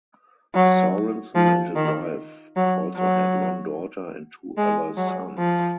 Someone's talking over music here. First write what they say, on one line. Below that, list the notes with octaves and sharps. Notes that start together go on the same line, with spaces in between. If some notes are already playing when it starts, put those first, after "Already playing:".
Sorensen and his wife also had one daughter and two other sons.
F#3
F3
D#3
F#3
F#3
G#3
F#3
F3